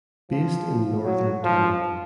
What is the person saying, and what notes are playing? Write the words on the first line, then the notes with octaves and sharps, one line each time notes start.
Based in Northern Taiwan.
F3
F#3
F3